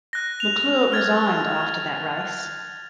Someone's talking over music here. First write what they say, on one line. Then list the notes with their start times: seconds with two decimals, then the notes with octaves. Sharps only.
McClure resigned after that race.
0.13 F#6 A#6
0.40 F7
0.92 F6 G#6 A6